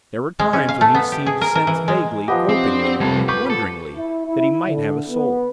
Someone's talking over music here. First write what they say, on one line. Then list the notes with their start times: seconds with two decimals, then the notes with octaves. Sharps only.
There were times when he seemed to sense vaguely, gropingly, wonderingly, that he might have a soul.
0.40 G#3
0.53 C#4
0.69 F5
0.81 A3
0.95 B3
1.12 G4
1.26 G#4
1.41 A#4
1.55 A#4
1.67 E3
1.88 G#3
2.28 F3 B3 G4 D#5
2.49 C4
2.64 D4
3.00 F1 C3 G3 A5 G#6
3.29 B4 C#6 D6 G6
3.50 A4
3.96 E4
4.26 E4
4.67 D3
5.08 B3